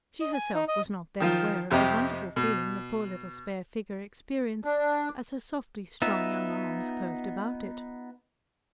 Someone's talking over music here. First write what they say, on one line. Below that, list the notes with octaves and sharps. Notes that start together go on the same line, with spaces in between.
She herself was not then aware of the wonderful feeling the poor little spare figure experienced, as her softly strong young arms curved about it.
D#5
G#5
D#4
D#5
D#3 F3 F4
F2 C3 C4 G4 D#5
B2
D4
B3 D#4 F4 E5